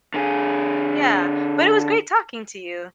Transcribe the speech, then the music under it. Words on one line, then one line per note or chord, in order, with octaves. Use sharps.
Yeah, but, it was great talking to you.
D3 G#4